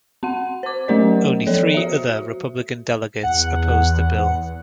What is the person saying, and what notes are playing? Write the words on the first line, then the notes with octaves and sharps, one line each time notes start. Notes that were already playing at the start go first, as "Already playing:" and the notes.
Only three other Republican Delegates opposed the bill.
C4 F#5
C5 D6
F#3 A3 C#4 A#4 D5
F3 A4 C#5
F#4 E5
E2 F#5